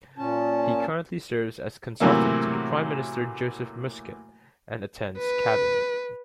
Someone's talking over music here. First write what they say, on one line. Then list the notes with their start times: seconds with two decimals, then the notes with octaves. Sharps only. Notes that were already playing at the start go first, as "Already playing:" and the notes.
He currently serves as consultant to the Prime Minister Joseph Muscat and attends Cabinet.
0.18 A#2 C#4 A5
2.00 A2 C3 E3 F#3 A#3 E4
5.18 B4